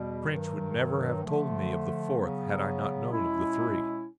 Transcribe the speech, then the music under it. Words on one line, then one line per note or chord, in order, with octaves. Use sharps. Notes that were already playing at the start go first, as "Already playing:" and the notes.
Trench would never have told me of the fourth had I not known of the three.
Already playing: E2 B2 G3
G2 D#3 F#3
D3 F3 A3
C#3 F#3 B3
B2 G#3 C#4 E4